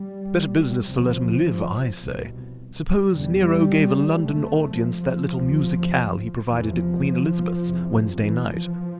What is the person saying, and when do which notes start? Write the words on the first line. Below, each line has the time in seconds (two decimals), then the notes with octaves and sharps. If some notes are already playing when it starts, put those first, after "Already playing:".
It's better business to let 'em live, I say. Suppose Nero gave a London audience that little musicale he provided at Queen Elizabeth's Wednesday night.
Already playing: G3
0.85 D2 C3 F3
1.98 C2 B2
3.11 E2 B2 G3
4.24 D2 C3 A3
4.81 F3
5.37 D2 C3
6.50 E2 C3 E3
6.80 F3
7.64 E2 C3
8.21 E3
8.49 F3